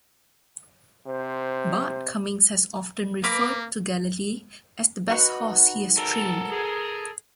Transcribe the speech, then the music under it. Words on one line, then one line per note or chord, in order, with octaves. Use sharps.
Bart Cummings has often referred to Galilee as the best horse he has trained.
C3 C5
A#3 A#4 B4 D6
D#4 F#4 B4
A4 A#4
G#4